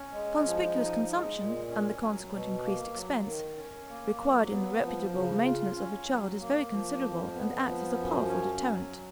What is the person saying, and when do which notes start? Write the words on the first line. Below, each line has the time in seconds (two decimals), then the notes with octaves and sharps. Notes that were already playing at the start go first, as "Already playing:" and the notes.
The conspicuous consumption, and the consequent increased expense, required in the reputable maintenance of a child is very considerable and acts as a powerful deterrent.
Already playing: C#4
0.12 G#3
0.44 F3
0.75 D#4
1.07 G#3
1.38 A#2
1.69 C#4
2.01 F#3
2.32 B2
2.64 A#3
2.95 F#3
3.26 D#3
3.57 C#4
3.88 A#3
4.20 F#3
4.51 B3
4.83 F3
5.14 C#3
5.45 F4
5.77 C#4
6.08 F#3
6.40 A#3
6.71 F3
7.02 F2
7.34 B3
7.65 F3
7.97 F#2
8.27 C#4
8.59 F#3